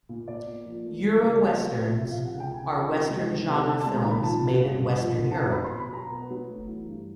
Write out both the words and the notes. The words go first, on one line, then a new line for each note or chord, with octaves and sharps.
Euro Westerns are Western genre films made in Western Europe.
A#2
A#2 D5
A#3
F3
A3
F3
C#3
D5
C4 D#5
A3
F3
F3 E5
F5
C3
F#5
C#2
G5
C#2 G#5
F3
C3
G#3
D#3
C3
C4 A5
A5
G#3
A#5
D#3 B5
F3 A5
D3
G2
G2
F3
D3
A5
B3 A#5
B5
F#3
C6
B2 B5
B2 A#5
B3
F#3
A3
E3
G2